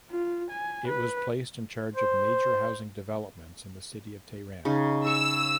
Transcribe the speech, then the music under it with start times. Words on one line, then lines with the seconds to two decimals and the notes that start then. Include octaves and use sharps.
It was placed in charge of major housing developments in the city of Tehran.
0.11 F4
0.50 G#5
0.88 B4
1.95 C5
4.65 C#3 C#4 D#4
5.06 C#5 C#6 E6